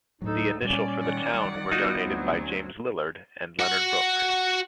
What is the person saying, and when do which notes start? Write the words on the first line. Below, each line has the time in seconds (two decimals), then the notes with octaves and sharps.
The initial for the town were donated by James Lillard and Leonard Brooks.
0.22 D2 A2 F#3 D#4 A4
0.62 A#2 G3 C#4 D5
0.99 D#3 D5 F#5
1.34 G3
1.72 B3 D#4 F4 F#4
2.03 D2 F#3 C4
3.59 F#4 F#5